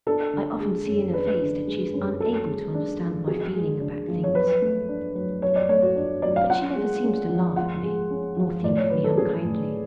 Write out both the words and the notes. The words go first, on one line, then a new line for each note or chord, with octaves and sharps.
I often see in her face that she is unable to understand my feeling about things; but she never seems to laugh at me, nor think of me unkindly.
D4 A4
D3
G#3
F#2
D4 B4
D3
G#3
F#2
F#4 A4
G#3
D4
F3
F#4 G#4
G#3
D4
F3
C#5
F#3 B4
A3
D4
F#3
F#3 C#5
D5
A3 C#5
F#4
D4
F#3 D5
F5
F4 F#5
G#3
C#4
F3
F4 F#5
G#3
C#4
F3
A2 D5
C#5
F#3 B4
A4
C#4 G#4
A2